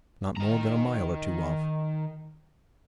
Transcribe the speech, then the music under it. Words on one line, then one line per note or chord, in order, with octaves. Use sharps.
"Not more than a mile or two off."
D#3 A#5